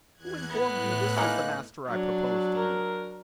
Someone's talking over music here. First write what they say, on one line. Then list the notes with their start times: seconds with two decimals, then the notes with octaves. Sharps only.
Who informed you this was the master I propose to you?
0.14 E2 F#6 G#6
0.50 A2 B3 F#6
1.16 G#3 A#3 D#4
1.87 F#3 D4
2.56 A#4